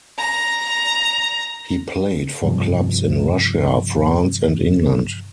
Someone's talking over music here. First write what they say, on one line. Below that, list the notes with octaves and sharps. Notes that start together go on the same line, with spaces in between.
He played for clubs in Russia, France and England.
A#5
G2 C3 F3